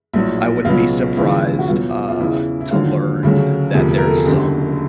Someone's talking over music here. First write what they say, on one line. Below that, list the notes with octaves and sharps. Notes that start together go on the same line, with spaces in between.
I wouldn't be surprised, uh, to learn that there's some
A#1 A2 F#3
C#2 B2 F#3 F4
D#2 C#3 F3 E4
F#4
E2 B2 F#3 F4
F4
E2 C#3 E3 E4
E4
D#2 D3 F#3 F4
D2 C#3 F#3
E1 D2 C3 F3
A#4
A4
G#4
F#1 F#2 D3 G4